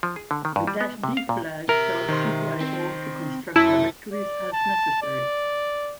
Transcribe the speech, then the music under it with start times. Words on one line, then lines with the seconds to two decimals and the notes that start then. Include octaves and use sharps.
The "-d" flag tells cpio to construct directories as necessary.
0.03 F3
0.16 G#4
0.31 D3
0.45 D#3
0.56 G2
0.67 G3
0.81 B3
1.04 C3
1.17 F5
1.29 A#2
1.69 G4 A#4 E5
2.09 D#3 C5 C6
2.61 C4
3.56 F#2 E4 E5 A5
4.13 D5
4.53 A5
5.03 D5